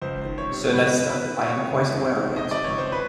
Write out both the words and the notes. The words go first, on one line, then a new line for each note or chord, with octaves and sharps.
Sir Leicester, I am quite aware of it.
C#2 C5
D#3
C#5
C3
C#2 B4
C#2
B4
D#3
C3 C#5
C#2
C#2
D#3
D#5
C3
D5
C#2 C#5
C5
B4